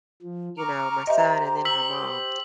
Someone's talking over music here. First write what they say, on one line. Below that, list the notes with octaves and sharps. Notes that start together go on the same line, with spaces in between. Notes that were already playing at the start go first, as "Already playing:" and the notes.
you know, my son and then her mom.
F3
A#5 C#6 D6 F6
G4 C5 D#5 E5
E6 B6 F#7